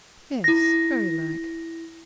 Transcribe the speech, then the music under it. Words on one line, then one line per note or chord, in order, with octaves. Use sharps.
'Yes, very like.
E4 A#6